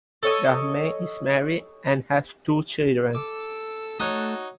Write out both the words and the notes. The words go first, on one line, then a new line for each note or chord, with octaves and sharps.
Dahmen is married and has two children.
A4 C#5 D#5
A4 D6 E6
A3 D#4 F#4 C#5 F#6